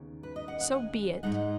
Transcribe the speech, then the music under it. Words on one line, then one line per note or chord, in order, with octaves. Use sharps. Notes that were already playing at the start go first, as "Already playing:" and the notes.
So be it!
Already playing: D#2 C#3 B3 D#4
B4
D#5
F#5
F#5
G#5
G#2 G#3 D#4 F#5